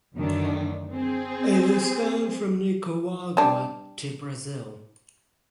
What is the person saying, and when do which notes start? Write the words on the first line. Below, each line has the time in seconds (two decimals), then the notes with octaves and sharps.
It is found from Nicaragua to Brazil.
0.17 F#2 D3 D#3 A3 D4
0.93 C4 G#4
3.37 G3 D4